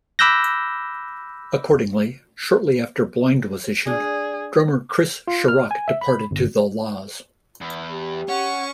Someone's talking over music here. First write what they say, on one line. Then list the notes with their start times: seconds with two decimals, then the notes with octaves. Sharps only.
Accordingly, shortly after "Blind" was issued, drummer Chris Sharrock departed to The La's.
0.19 B5 D6 E6 F#6 G6 A#6
3.87 D4 G#4
5.28 F4
5.48 F6
5.71 G#5
5.88 E5
6.01 B5
6.31 G1
7.61 E2
7.91 G4
8.29 C#4 F#5 C#6